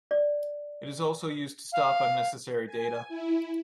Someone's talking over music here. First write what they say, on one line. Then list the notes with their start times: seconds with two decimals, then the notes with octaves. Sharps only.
It is also used to stop unnecessary data.
0.11 D5
1.73 F5
2.66 G#5
3.08 E4